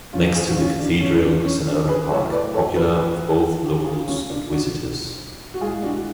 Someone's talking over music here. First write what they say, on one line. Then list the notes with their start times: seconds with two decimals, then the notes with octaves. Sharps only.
Next to the Cathedral is an urban park, popular with both locals and visitors.
0.13 C#4 F4
0.35 F4 G#4
0.48 F#4
0.57 C#4 F4
0.79 D4
1.00 C#4
1.23 D4
1.44 C#4
1.67 D4
1.88 G#4 B4
2.10 A2 F#3 A3 A4 C#5
2.32 B4 D5
2.54 A4 C#5
2.76 G#4 B4
2.98 G#4 B4
3.86 F4 G#4
4.08 C#4 F4
4.29 D4
4.51 D4 F#4
5.54 F#4
5.61 G#3 F4 G#4
5.65 A2
5.83 D4 F#4